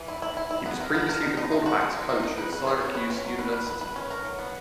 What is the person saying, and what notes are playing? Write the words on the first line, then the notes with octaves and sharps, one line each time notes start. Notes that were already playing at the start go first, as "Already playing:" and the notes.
He was previously the cornerbacks coach at Syracuse University.
Already playing: E3
E4
E4
E4
E4
B3
A#4
B3
A#4
D#4
D#4
D#4
F#4
G#3
D#4
D#4
D#4
B4
B4
G#4
C#4
B4
C#4
F#3
B4
B4
B4
B4
C#4
A#4
F#3
B3